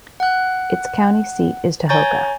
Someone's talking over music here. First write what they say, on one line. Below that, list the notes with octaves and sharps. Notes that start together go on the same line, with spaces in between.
Its county seat is Tahoka.
F#5 F#6
C#5 G#5 A#5 C#6 G6 A6